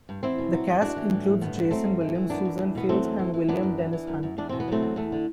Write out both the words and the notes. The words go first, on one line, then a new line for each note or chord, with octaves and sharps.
The cast includes Jason Williams, Suzanne Fields and William Dennis Hunt.
G2
E2 C4 E4
B2
F#3
E2
E3 D4 F#4
E3
A2
A2
G2 B3
D3
F#3 A3 C4
G2
E3
E3
F#2 B3 D4
F#2
E2
B2 B3
F#3 A3 C4
E2
E3
E3
F#2 B3 D4
F#2
E3
E3
F#2
F#2
E2 D4
B2 C4
B3
F#3 A3 C4
E2
E2 A3
D3